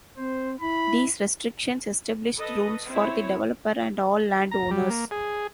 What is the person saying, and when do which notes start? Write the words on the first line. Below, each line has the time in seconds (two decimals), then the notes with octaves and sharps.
These restrictions established rules for the developer and all land owners.
0.17 C4 C5
0.61 E4 B5
2.38 A4 B4 D#5
2.89 C4 E4 C#5
4.51 A#5
4.71 G3
4.90 A#3
5.11 G#4